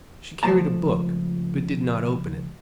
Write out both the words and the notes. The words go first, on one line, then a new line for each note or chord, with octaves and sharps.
She carried a book, but did not open it.
C#2 F3 A3 A5 A#5